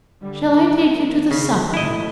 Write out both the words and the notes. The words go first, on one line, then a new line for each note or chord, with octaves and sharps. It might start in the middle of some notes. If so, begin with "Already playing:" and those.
Shall I take you to the supper-room?'
D3 G3
F2 D#3
C#3
G#1 A3 E4 D#5